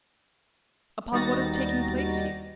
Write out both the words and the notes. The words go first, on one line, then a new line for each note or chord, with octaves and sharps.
"Upon what is taking place here."
D#2 G3 D#4 F#4 A6 A#6